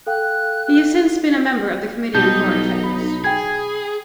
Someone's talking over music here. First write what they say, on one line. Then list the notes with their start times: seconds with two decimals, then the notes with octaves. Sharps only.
He has since been a member of the Committee on Foreign Affairs.
0.07 A4 F5 G5 F#6
2.15 B1 B2 G3 D#4 A5 G6
2.84 B5
3.24 G#4 G5 G#6